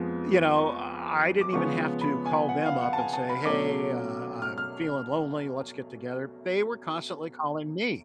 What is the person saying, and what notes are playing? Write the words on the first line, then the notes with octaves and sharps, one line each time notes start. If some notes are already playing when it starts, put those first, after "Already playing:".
you know, I didn't even have to call them up and say, "Hey, uh, I'm feeling lonely, let's get together," they were constantly calling me.
Already playing: F2 F3 G#3 B3
C#6
D6
C#3 F3 G#3 B3 C#6
B5
G#5
F#5
F5
F#5
A5
G#5
A5
B5
B2 F#3 A3 C#4 D6
F6
F6